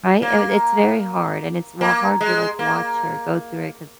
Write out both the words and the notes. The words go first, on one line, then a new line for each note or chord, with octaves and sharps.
Right? Uh, it's very hard, and it's wa hard to, like, watch her go through it 'cause
A#3
A#3
G#3
A#3